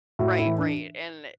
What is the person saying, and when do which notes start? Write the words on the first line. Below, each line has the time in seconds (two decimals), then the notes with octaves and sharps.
Right, right, and le
0.19 A2 F#4
0.39 E4
0.45 E3
0.59 D4